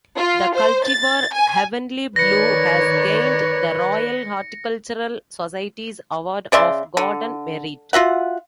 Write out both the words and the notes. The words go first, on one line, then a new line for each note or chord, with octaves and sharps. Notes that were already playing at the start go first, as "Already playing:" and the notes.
The cultivar 'Heavenly Blue' has gained the Royal Horticultural Society's Award of Garden Merit.
F4
C5
A6
G#5
D#3 B4 C#5 D5 A#6 C#7
C#3 D5 E5 C6
D3
F4 F#4 E5 F#5